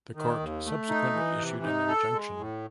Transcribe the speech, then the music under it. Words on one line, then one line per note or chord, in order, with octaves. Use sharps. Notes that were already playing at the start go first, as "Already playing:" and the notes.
The court subsequently issued an injunction.
D#3
D#2
A3
D#4
E3
C3
D#4
A4
G#3
A2